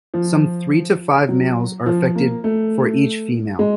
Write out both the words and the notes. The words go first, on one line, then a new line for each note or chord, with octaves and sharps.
Some three to five males are affected for each female.
F3
F#3
F3
A#3
A3
G#3